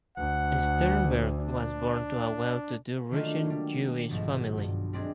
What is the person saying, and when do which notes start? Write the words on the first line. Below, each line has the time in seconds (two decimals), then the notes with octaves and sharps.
Sternberg was born to a well-to-do Russian-Jewish family.
0.18 D2 F#5
1.38 D4
3.11 D#3 F#3 A3 A#3 D4 F4
3.46 F#3 G3
4.10 B1 G#2 F3 F#3
4.58 G2
4.93 G3 G#3 C4 D4 G#4